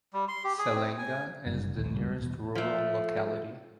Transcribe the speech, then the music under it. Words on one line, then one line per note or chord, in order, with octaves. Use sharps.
Selenga is the nearest rural locality.
G3
C6
G4
G#4
C4
G#5
F#1 G2 C3
A#1 D#2 F3 A3
G1 C#2 G3
E2 B2
F3 A3